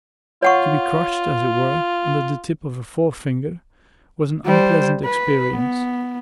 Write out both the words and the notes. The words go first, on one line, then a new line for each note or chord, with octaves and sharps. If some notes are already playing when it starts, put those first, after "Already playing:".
To be crushed, as it were, under the tip of a forefinger was an unpleasant experience.
F4 C#5 F#5 C#6
G3 C5
B4
B3